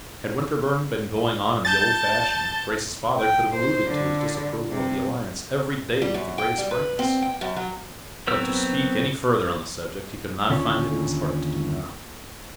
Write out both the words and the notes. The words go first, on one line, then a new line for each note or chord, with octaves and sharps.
Had Winterborne been going on in the old fashion, Grace's father could have alluded to his disapproval of the alliance every day with the greatest frankness; but to speak any further on the subject he could not find it in his heart to do now.
A5 G6 A6
G5
C5
D3
C3
G3
F#2
G5
G3
B4
C4
G5
F#2
F#3
F#3 B3 C4 A#4 E6
D#2 D3 C#4 F4 C#5